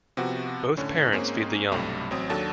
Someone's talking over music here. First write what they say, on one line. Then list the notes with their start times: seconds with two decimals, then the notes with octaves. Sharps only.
Both parents feed the young.
0.17 C3 F3 B3 F#4
0.77 A2 D3 C#4
1.12 G#2 A#3 C4 C#4 G#4
1.72 B1 G2 C3 G3 A3
2.11 A1 F#3 C4 D#6
2.30 D#2 F#3 D4 A4 A5 A6